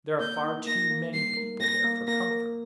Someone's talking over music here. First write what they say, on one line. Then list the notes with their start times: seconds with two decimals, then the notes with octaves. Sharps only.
There are far too many people there for comfort.
0.20 A#3 G6
0.44 D#4
0.67 A#3 A#6
0.91 A#3
1.14 G3 C7
1.37 A#4
1.61 A#3 A#6
1.84 A#3
2.08 A#3 A#6
2.31 A#4